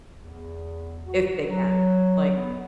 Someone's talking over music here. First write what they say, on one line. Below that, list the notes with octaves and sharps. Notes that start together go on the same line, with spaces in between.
if they can, like,
E2
F#4
F#3
B3